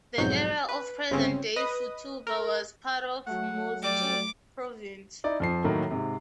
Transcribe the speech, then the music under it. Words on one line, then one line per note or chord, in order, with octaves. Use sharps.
The area of present-day Futaba was part of Mutsu Province.
B1 F2 G#2 F#3 G6
B4
G1 C#3 C4 C#4
B4 D#5 D#6
A#4
F#3 A3 F#5
G3 D5 D6
D#4 E4 D5
F2 F3 C7
A2 D#3 F#3 A#3
G#2 C3